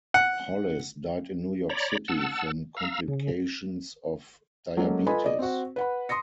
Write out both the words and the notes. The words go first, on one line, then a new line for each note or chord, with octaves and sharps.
Hollis died in New York City from complications of diabetes.
F#5
C#5 D5 A#5 B5
F#5 A5 E6
F5 A#5 E6
C#3
F#3 G#3 A#3 C#4 A4
F4 A4 B4 D#5 G#5 B5
D5 D#5
C4 F#4
B4 F#5 B5
C6 D#6 A#6 C#7